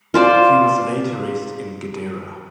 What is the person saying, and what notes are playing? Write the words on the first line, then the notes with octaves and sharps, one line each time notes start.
He was laid to rest in Gedera.
F4 C5 D5